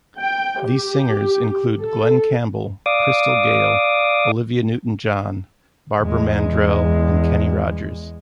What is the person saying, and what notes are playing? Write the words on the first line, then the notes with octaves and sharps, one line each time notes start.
These singers include Glen Campbell, Crystal Gayle, Olivia Newton-John, Barbara Mandrell, and Kenny Rogers.
G5
G4
A4
D5 F5 D6 D#6
E2 G#3